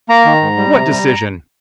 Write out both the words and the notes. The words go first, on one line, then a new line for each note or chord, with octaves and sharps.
What decision?
A#3 A#5
D#3
G#2
G3
C3
G3